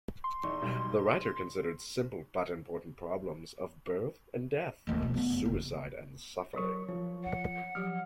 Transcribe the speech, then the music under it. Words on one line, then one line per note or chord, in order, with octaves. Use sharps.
The writer considered simple but important problems of birth and death, suicide and suffering.
C6
E2 D#4 C#6
B1 G3
A1 D#2
B2 F3
F#3 B3
F1
F#1
F#3 A#4 C#5 C#6
F3 F4 C#5
C#5 F#5
F3 F#3 G4 F6